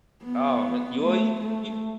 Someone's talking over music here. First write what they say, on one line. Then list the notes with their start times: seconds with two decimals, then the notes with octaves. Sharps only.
Oh ma well, you you
0.24 B3
1.02 A3
1.41 A3